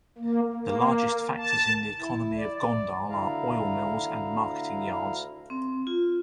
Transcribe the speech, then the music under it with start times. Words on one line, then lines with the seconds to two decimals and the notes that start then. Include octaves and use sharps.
The largest factors in the economy of Gondal are oil mills and marketing yards.
0.18 A#3
0.53 A#3
1.37 A5
1.99 E4
2.38 D5
2.55 D5
3.10 D2 D3 E4 F5 A#5
5.50 C4
5.87 F4